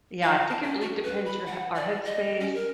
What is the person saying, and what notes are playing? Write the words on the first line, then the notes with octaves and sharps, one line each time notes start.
Yeah, I think it really depends your h our headspace,
F5
A5
C#4
F#4
B4
B5
F#5
D5
D#5
C#4
A#4